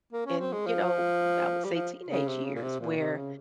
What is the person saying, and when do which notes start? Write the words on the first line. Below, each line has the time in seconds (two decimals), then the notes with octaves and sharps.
in you know, I would say teenage years where
0.13 A#3
0.26 C#4
0.40 C4
0.53 G#3
0.66 F3
1.64 G3
1.73 F3
2.09 C#3
2.27 C3
2.44 C#3
2.55 A#2
2.62 C3
2.80 A#2
2.98 C3
3.16 C#3